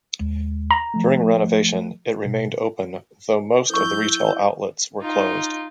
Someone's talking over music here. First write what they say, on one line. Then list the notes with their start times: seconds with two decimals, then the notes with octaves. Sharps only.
During the renovation, it remained open though most of the retail outlets were closed.
0.20 D#2 G#3
0.71 A#5
0.94 F3 A3
2.26 B2
3.70 E4 A4 C#6 E6 G6
5.02 D#4 F4